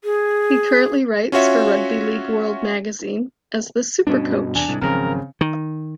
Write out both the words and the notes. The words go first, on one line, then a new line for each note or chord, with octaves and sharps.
He currently writes for Rugby League World magazine as the 'Supercoach'.
G#4
C#4 F4 F#4 C#5 E5
G2 B2 C#4 D4
E2 C3 D4 G#5
C2 G#2
G#1 C#3 F3 F#3 C4 A#4 A#5
D#3